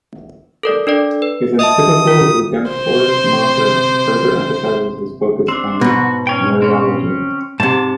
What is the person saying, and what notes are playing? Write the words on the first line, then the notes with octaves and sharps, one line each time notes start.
His encyclical "Redemptoris Mater" further emphasizes his focus on Mariology.
A4 A#4 D5
D4 A4 D5
B4
D#5 E5 A5 D#6
F4
C3 C5
C4 D4
G#2 B2 F#4
C#4 C#5 G5
C4 C#4
G#2 C3 A5